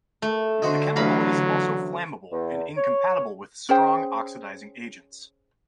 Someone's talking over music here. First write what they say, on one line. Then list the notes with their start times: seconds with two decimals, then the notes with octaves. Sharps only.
The chemical is also flammable and incompatible with strong oxidizing agents.
0.22 A3
0.62 D3 D#4 F#4 C5
0.96 A1 D2 F#3 F5 A#5 B5
2.32 E2
2.77 C#5
3.69 C#4 G#4 C5 G5